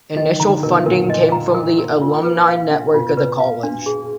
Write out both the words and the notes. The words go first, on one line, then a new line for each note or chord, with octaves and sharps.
Initial funding came from the alumni network of the college.
D#3 D#5
D3 A#5
B2 A#4
A#2 A#4
D#5
A#5
A#4
A#4
F4
B4
F5
D4
B2 F4
B4
F5
D4
G#4